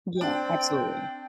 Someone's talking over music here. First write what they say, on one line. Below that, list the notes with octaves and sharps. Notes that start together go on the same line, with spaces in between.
Yeah, absolutely.
C4 D4 G5